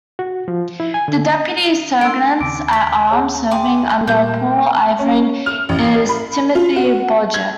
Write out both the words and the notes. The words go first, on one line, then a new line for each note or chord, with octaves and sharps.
The Deputy Sergeants at Arms serving under Paul Irving is Timothy Blodgett.
F#4
F3
E4
G#5
D3
D#5
A3 D4 A#4 C6 E6 D7
D#2 C#3 D6 D7
E6 B6 G7
G#4 C#5
G5 G#5 C6 D6 D#6
A#2 G3 A3 A#3 G6
C#4
F6
A1
B5
F4
F#4
G#6